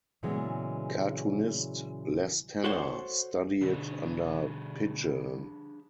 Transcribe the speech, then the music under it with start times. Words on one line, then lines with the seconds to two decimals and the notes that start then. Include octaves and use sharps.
Cartoonist Les Tanner studied under Pidgeon.
0.23 A#2 C#3 E3 F#3 G#3 B3
2.64 F#4 A4 C5 C#5 F#5
3.61 B2 D3 D4 G4 G#4